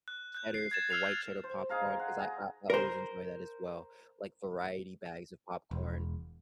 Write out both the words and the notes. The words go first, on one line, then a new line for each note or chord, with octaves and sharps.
cheddars, like, the white cheddar popcorn? 'Cause I I I always enjoy that as well, like, variety bags of popcorn,
F#6
F#6 G6
C7
G#6 A6 E7
E6 F6 C7 F7
G6
C5
D#4 G#4 F5 A#5
F#5
G#4 A#5
A#4 C5
E1